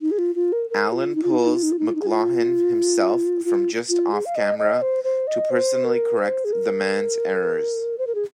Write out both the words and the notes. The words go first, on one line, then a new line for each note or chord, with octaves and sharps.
Allen pulls McLuhan himself from just off camera to personally correct the man's errors.
D#4
G#4
F4
F4
A#4
A#4
F4
D#4
F4
D#4
F4
D#4
F4
D#4
F4
D#4
F4
D#4
G#4
F4
F4
F4
G#4
F5
D#5
D#5
C5
C5
D#5
C5
A#4
C5
G#4
A#4
C5
A#4
G#4